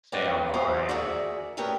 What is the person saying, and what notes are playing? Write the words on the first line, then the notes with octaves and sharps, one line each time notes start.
stay online," and
C#4 G4 B4 D5 F#5 G5
F#3 D#4 C5 D#5 F5
F#4 G#4 A#4 D5 E5
A3 C#4 G4 G#4 A#4 B4